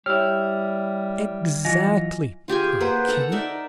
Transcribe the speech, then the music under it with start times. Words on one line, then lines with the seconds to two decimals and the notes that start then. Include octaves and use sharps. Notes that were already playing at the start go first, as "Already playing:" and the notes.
"Exactly!" cried Kinney.
0.06 G3 E4 G4 C#5 E6 F6
1.65 E3 F#3 F4 D#5 G#5 A#6
2.48 F4 G4 G#4 G#5
2.80 A#3 B4 C5 F#5
3.08 A4 F#5 A#5
3.32 D#4 A#4 D5 E5